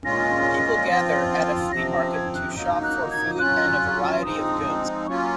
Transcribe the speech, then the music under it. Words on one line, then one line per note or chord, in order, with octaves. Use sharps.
People gather at a flea market to shop for food and a variety of goods.
A#2 G#3 C#4 F4 A#6
F3 C4 F4
C3 F3 C4 A#6
A#6
G#6
F#6
F#3 A#3 D#4
F#6
G#6
F#3 C#4 F4 F#6
F3 G#3 C4 D#4 D#6
F#3 A#3 C#4 F4 C#6